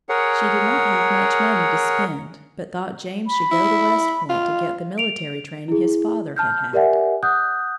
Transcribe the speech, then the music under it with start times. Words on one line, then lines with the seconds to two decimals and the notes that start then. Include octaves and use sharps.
She did not have much money to spend but thought James should go to West Point to get the military training his father had had.
0.09 G#4 A#4 C#5 F#5
3.27 B5
3.52 E4
4.30 F4
4.98 D7 F7
5.68 E4 G#4
6.36 A5 F6 G6
6.73 G4 A#4 D5 E5 F#5 G#5
7.23 F#5 D#6 F#6 G6